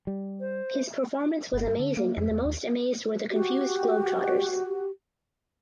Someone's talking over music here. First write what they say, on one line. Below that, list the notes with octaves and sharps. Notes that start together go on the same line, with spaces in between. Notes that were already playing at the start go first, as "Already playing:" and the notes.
His performance was amazing and the most amazed were the confused Globetrotters.
G3
C5
G1
G2
D3
A#3
F2
E2
D#2
F#4 G4